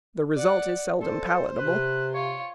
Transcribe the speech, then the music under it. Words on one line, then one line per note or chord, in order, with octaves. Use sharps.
The result is seldom palatable.
D5 F#5
A4 C5
C3 B4
F4 C#5